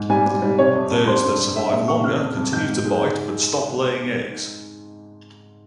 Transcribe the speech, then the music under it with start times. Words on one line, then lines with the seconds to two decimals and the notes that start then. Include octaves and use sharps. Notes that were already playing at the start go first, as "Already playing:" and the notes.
Those that survive longer continue to bite but stop laying eggs.
Already playing: G#2
0.10 G3 G#5
0.26 G3
0.42 G3
0.59 C3 C#5
0.75 F2
0.91 F2
1.07 G3 C5
1.23 G2
1.39 G2
1.56 G#3 E5
1.72 A#2 E5
1.88 A#2 C#6
2.04 C#3 F6
2.20 F2
2.37 F2
2.53 G#2 G6
2.69 G#2
2.85 G#3